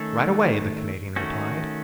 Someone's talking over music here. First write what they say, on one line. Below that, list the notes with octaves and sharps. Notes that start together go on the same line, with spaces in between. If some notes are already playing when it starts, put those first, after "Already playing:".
"Right away!" the Canadian replied.
Already playing: D#3 A3 C#4 A4
D#3 A3 C#4 F#4